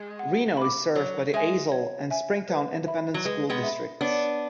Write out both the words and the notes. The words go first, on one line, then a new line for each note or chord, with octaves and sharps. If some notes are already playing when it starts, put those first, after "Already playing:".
Reno is served by the Azle and Springtown Independent School Districts.
Already playing: G#3
F#5
B5 D6
F#3 C#5
G#3 E5 G#5
C#5
E5 G#5
B4
E5 B5
F#3
G#3 B4
G#3 B3
E5 B5
B3 D4 C#5